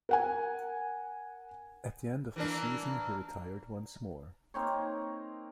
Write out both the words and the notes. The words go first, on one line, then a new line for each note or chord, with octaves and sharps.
At the end of the season, he retired once more.
A#4 F#5 G#5
E3 A#3 D4
A#3 C4 D#4 C#5